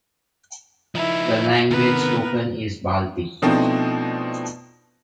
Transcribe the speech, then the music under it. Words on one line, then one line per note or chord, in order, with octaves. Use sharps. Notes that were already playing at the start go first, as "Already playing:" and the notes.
The language spoken is Balti.
F3 D#4 E4
C3 D#3 B3 A#4 B4
B2 F3 A3 C4 D4 D#4